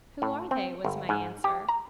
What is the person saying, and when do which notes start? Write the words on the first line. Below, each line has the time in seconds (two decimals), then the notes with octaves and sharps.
"Who are they?" was my answer.
0.22 A2
0.51 C4
0.85 G1
1.09 G#2
1.44 G4
1.68 A#5